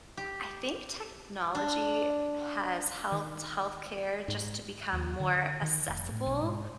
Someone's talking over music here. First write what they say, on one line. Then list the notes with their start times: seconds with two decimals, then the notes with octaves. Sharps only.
I think technology has helped health care just to become more assessable.
0.17 G4
1.55 D4
3.12 D#3
4.28 G#2
4.93 D#2
5.20 D3
5.62 D#3
5.88 F1
6.12 A2
6.26 B1
6.41 G#2